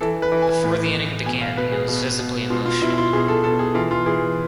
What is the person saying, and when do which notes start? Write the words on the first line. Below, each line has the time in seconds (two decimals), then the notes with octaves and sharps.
Before the inning began, he was visibly emotional.
0.01 E3 A4
0.22 B4
0.32 E3
0.42 G#5
0.64 A2
0.95 A2
1.25 B2 G#5
1.41 F5
1.57 B2 B4
1.72 G#4
1.88 B2
2.19 B2
2.50 B2 F4
2.66 F4
2.81 B2 E4
2.98 F4
3.13 B2 G#4
3.28 A4
3.44 B2 A4
3.59 G#4
3.75 E3 F4
3.91 F4
4.06 E3 G#4